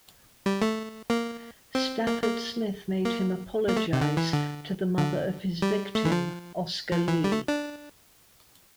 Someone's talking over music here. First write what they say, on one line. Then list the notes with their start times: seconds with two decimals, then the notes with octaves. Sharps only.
Stafford Smith made him apologize to the mother of his victim, Oscar Lee.
0.46 G3
0.62 A3
1.10 A#3
1.75 C4
2.07 A#3
2.23 A#3
3.04 A#3
3.69 A#3
3.77 A3
3.93 C3
4.01 D3
4.17 E3
4.33 D3
4.98 D3
5.62 G3
5.95 A3
6.05 E3
6.12 F3
6.92 F3
7.08 E3
7.24 G3
7.32 A3
7.48 D4